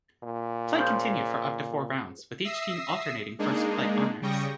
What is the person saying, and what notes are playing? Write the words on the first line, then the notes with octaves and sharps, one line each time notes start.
Play continued for up to four rounds, with each team alternating first-play honors.
A#2
C#3 F3 C5
E5 D#6 E6 A#6 C7
G#3 A#3 D4 D#4 G#4
C#3 G3 G5 C#6 D#6 A#6